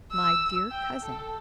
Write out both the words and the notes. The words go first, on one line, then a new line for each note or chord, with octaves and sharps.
"My dear cousin."
E6
G5
A4